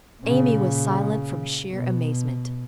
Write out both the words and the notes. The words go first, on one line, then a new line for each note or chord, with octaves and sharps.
Amy was silent from sheer amazement.
A#2 C#3
B2